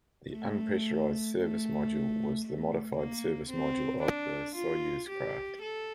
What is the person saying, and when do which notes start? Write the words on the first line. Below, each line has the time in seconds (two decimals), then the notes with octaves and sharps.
The unpressurized service module was the modified service module of a Soyuz craft.
0.32 A3
1.37 A3
2.44 A3
2.97 A#3
3.50 C4
4.03 D4
4.55 F4
5.09 G4
5.62 A4